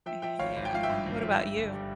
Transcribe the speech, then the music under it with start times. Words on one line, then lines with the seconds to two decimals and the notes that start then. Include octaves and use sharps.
y-yeah, what about you?
0.06 F3 E5 G5
0.22 F3 E5 G5
0.39 G#1 C#5 F5
0.56 G#1
0.65 G5
0.73 F3 F5
0.83 E5 G5
0.89 G2
1.06 G#1
1.22 F3
1.39 G2
1.56 G1
1.73 G3